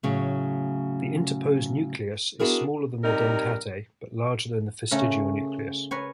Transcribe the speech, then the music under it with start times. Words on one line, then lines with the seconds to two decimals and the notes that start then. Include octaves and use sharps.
The interposed nucleus is smaller than the dentate but larger than the fastigial nucleus.
0.03 A2 C#3 F#3
2.39 B3 D4 E4 F#4 G#4 A#4
3.02 C3 G3 D#4 A#4
4.91 C#3 A3 C#4 A#4
5.91 A#4 B4 C#5 G#5